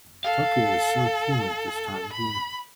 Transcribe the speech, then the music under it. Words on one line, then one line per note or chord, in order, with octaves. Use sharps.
Tokyo is so humid this time of year.
A4 F5
B5